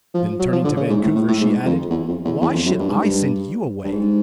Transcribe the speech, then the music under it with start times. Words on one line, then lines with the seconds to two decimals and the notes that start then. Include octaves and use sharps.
Then turning to Vancouver, she added, "Why should I send you away?"
0.14 F3
0.39 F#3
0.52 F3
0.64 D3
0.77 C#3
0.89 G#2
1.03 A2
1.15 A2
1.28 A2
1.41 G#2
1.65 F2
1.90 E2
2.08 F2
2.25 E2
2.41 E2
2.53 F2
2.66 F#2
2.79 G2
2.89 G#2
3.00 G2
3.84 G2
3.92 G#2